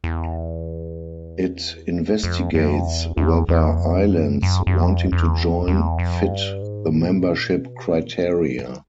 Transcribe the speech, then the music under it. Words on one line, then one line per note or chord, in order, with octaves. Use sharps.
It investigates whether islands wanting to join fit the membership criteria.
E2
F2
F2
F2
E2
E2
E2
F2
F#2
F#2
F#2
F2
F2
E2
E2
F2
G2
G#2
A2
A#2
B2
A#2
B2